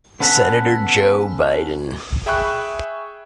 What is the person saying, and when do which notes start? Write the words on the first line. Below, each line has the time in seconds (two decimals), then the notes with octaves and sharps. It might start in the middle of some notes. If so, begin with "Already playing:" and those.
Senator Joe Biden.
0.20 B3 C#4 A4 F#5 A5 B5
2.26 G#4 E5 G5 B5 C#6 F#6